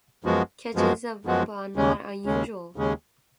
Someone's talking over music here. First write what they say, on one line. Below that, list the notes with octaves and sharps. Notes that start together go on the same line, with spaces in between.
Catches above are not unusual.
F#2 F3 G#3 B3 F#4
F#2 F3 G#3 B3 F#4
F#2 F3 G#3 B3 F#4
D#2 C#3 G#3 C#4
D#2 C#3 G#3 C#4
D#2 C#3 G#3 C#4